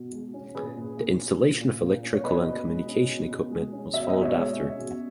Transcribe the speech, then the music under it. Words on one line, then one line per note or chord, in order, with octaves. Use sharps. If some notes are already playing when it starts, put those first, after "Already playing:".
The installation of electrical and communication equipment was followed after.
Already playing: B2
G#3
C#4
A#2 G#4 B4
A#2
A#3
C#4
A#2
A#2
A#3
C#4
C#5
B2 B4 D#5
B2
G#3
C#4
B2
B2
G#3
C#4
B2 E5
D#5
B2
C#5 E5
G#3
C#4
B2